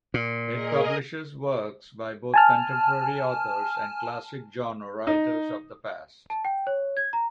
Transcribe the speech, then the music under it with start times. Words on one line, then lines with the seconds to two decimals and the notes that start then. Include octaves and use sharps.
It publishes works by both contemporary authors and classic genre writers of the past.
0.14 A#2
0.51 G#4 A#4 D#5
2.34 G#5 A5 F6
5.07 D#4
6.30 A5
6.45 G5
6.67 C#5
6.97 G#6
7.13 A#5